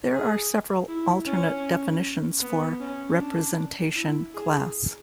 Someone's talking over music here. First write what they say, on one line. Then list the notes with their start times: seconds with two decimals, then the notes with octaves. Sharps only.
There are several alternate definitions for "representation class".
0.11 G#4
0.88 E4
1.26 C#4
2.42 B3
2.80 C#4
3.19 D4
3.95 E4
4.34 G#4